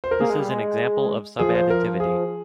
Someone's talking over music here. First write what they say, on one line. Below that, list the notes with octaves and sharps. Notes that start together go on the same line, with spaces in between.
This is an example of subadditivity.
C5
A#4
A#3 G#4
G#3
G3
G#3
F3 G#4
C5
A#4
G#4